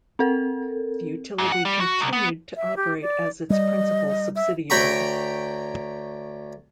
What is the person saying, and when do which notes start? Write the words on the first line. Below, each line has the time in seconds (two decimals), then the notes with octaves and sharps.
The utility continued to operate as its principal subsidiary.
0.19 C4 A4 A#4
1.38 G#2
1.52 F#5
1.65 G3
1.81 F#4
2.01 C2
2.13 B3
2.56 E5
2.77 G4
3.02 D5
3.50 G3 D#5
4.36 E5
4.70 D2 C#5 G5 A#5 B5 C#6